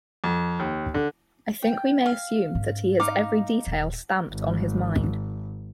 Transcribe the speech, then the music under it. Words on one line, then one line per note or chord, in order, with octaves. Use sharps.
I think we may assume that he has every detail stamped on his mind.
F2
D#2
D3
G5
F5
G#2 C#4
D#4 F5 D6
D#1
G#1